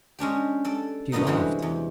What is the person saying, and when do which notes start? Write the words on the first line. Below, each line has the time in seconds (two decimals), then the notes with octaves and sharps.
She laughed.
0.19 G#3 C#4 D4 G4
0.65 A4 D5
1.12 F#2 A2 D3 B3 D#4
1.27 C3 E3 G3 G#3 F#4
1.62 E2